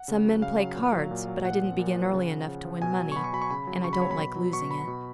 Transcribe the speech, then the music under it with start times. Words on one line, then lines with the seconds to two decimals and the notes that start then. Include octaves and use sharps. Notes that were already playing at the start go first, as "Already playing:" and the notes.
Some men play cards; but I didn't begin early enough to win money, and I don't like losing it.
Already playing: F#5
0.08 C#3
0.25 F#3
0.41 C#3 F5
0.59 F#3
0.75 A#2
0.93 F#3
1.11 A#2
1.27 F#3
1.44 A#2 F#5
1.62 F3
1.79 A#2
1.96 F3
2.13 C#3
2.31 F3
2.48 C#3
2.65 F3
2.82 B2 G#5
2.99 F#3
3.12 C#6
3.16 B2 B5
3.24 C#6
3.33 F#3 B5
3.42 C#6
3.50 C#3 B5
3.67 F#3
3.84 C#3 C#6
3.93 B5
4.01 F#3 C#5
4.11 B5
4.19 B2
4.36 F#3
4.53 B2 C#6
4.71 F#3 B5
4.87 B2